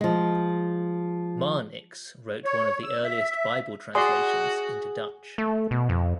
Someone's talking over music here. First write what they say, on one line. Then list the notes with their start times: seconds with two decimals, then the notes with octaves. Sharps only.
Marnix wrote one of the earliest Bible translations into Dutch.
0.01 F3 G#3
2.45 C#5
2.84 E6
3.04 E5
3.95 F#4 G#4 D5 C6
5.38 A3
5.71 B2
5.89 F2